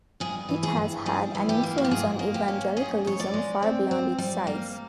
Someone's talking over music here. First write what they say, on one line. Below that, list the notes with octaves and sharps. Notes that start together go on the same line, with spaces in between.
It has had an influence on evangelicalism far beyond its size.
G2 G#4
E3
G#4
G2
G3 G#4
E3
G4
A#3
F#4
G4
G#2 G#4
A#3
G4
C#4
G#2 G#4
G#2 C#5
D5
G#3
C4
C4
G3
A#3